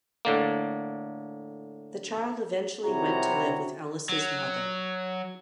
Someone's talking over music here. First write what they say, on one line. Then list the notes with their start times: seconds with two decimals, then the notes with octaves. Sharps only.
The child eventually went to live with Ellis's mother.
0.25 A2 D3 A#3
2.85 C2 C3 E4 F#4 C#5 A#5
4.09 F#3